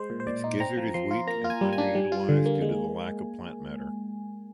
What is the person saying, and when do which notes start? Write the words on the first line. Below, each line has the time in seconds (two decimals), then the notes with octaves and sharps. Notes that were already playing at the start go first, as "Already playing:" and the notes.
Its gizzard is weak, and underutilised due to the lack of plant matter.
Already playing: G#3 C5
0.10 A#2
0.20 C5
0.27 A#2 D5
0.44 D#4
0.60 C4 A#5
0.77 F3
0.94 F3 C6
1.11 F4
1.27 A#3 A#5
1.44 F4
1.50 G#5
1.61 G3
1.73 G#5
1.78 D4
1.95 G3
2.12 F4
2.29 D3
2.46 A#3
2.62 G#3